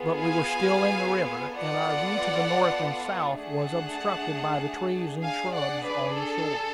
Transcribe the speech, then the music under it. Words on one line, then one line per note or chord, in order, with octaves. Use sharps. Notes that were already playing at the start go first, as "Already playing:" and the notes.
But we were still in the river, and our view to the north and south was obstructed by the trees and shrubs on the shores.
Already playing: B3 F4 G#4
F5 G#5
B3 F4 A4 D5 F#5
A3 D4 G#4 F#5 A5
D4 G#4 F5 G#5
D5 F#5
B4 D5
A4